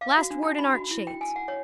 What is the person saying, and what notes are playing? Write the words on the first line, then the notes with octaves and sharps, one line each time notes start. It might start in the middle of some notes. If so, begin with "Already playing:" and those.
Last word in art shades.
F5
F#4
D4
D#4
B5
F#4
E4
G5
G#5
F#5
C#5